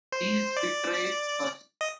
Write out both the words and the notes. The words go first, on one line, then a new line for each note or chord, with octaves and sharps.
He's betrayed us.
C5
D5
D#5